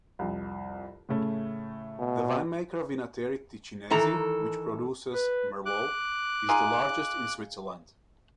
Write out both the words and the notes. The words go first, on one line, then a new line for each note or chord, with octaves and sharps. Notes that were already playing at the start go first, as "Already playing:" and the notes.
The winemaker Vinattieri Ticinesi, which produces merlot, is the largest in Switzerland.
C2 F2
A2 C#3 A3
B2
D#3 E3 A4 A#5
B4
D6 F#6
D#4 F4 G#4